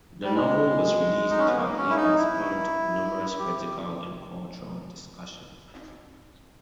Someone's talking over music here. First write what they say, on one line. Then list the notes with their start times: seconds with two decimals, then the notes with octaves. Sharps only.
The novel was released to acclaim and spawned numerous critical and cultural discussions.
0.24 G3
0.35 G#3
1.30 D#4
1.38 C#4
1.47 B3
1.57 A#3
1.77 C#4
1.90 E4
1.97 D#4
2.17 E4
3.39 G4
3.58 G4